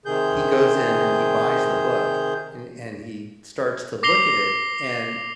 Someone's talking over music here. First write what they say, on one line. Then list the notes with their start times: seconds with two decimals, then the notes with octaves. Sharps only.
he goes in, and he buys the book, a and he starts to look at it, and
0.06 C3 D#3 G#4 G6
4.03 D6 A#6 C7 F7 G7